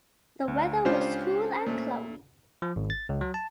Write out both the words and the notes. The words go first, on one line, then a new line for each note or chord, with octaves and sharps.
The weather was cool and cloudy.
D2
C#2 C#4 D4 F4 G4 C5
A#2 A3
F3
G#1
A6
C#2
F#3
A5